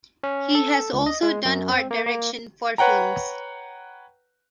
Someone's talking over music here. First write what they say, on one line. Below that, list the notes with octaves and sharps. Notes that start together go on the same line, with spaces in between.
He has also done art direction for films.
C#4
A4
C#2
D#5
G#3
F#2
C4
A#3
A#3
B4 C#5 F#5 G5 A#5